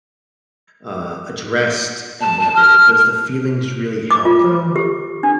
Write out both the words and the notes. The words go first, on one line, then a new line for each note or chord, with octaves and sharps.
uh, addressed and whatever, does the feelings really help though?
A5
A5
F6
D6
F4
G4
D4